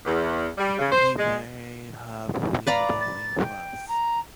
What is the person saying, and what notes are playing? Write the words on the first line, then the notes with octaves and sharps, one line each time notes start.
He may have been born in France.
E2
G3
C#3
C5
G#3
B4 D5 F5 A#5
A6
G5
A#5